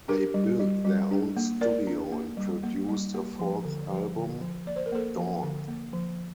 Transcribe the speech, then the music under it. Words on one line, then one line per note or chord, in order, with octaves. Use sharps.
They built their own studio and produced a fourth album, "Dawn".
D4 G4 A#4
G3
G3
G3
D4
A#3
A#3 A#4 D5
D4
A#3
G3
A#3
G3
A#3
F3
D3
F3
D3
F3
A#3 D5
C5
A#4
A#3 A4 C5
F3
D3
A#3
F3